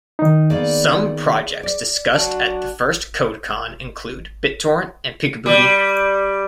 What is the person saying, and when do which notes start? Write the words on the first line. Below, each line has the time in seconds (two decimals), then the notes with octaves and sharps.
Some projects discussed at the first CodeCon include BitTorrent and Peek-a-Booty.
0.19 D#3 D#4
0.50 D#3 A#3 B3 G#4 D5
1.63 D5
2.13 F#3 D4 F#4
5.46 G3